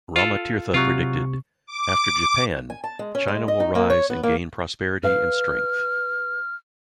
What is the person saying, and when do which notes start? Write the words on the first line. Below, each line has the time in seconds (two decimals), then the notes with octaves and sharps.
Rama Tirtha predicted: After Japan, China will rise and gain prosperity and strength.
0.16 F4 A4
0.74 C3 F#3 F4 C#6
1.66 D6
2.70 G#5
2.84 A5
2.99 G#3
3.15 C#4
3.28 G#3
3.48 D#5
3.60 D#4
3.75 A#3
3.90 C#5
4.10 B3
4.23 A#3
5.03 B4 F5 F6